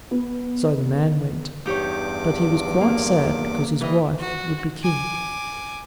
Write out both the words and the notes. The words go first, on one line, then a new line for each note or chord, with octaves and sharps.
So the man went; but he was quite sad because his wife would be king.
B3
E2 G2 D#4 G4 C#5 D6
A#3
E3 G3 D#5
F#4
G#5 D6